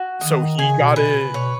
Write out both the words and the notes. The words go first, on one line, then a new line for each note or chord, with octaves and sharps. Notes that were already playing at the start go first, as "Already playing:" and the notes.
So, he got it
Already playing: F#4
D#3 D#5
C#3 G#5
B2
B2 B4
B2
C#3
B2 C#5